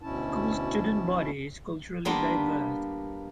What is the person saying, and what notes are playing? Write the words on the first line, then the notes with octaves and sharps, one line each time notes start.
The school's student body is culturally diverse.
D2 B2 C#4 E4 A5
G3 A#3 B3 D4 F4